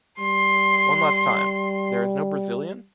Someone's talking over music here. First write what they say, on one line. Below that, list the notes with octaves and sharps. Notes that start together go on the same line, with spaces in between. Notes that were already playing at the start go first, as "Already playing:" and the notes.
One last time... There is no Brazilian?...
G3 C6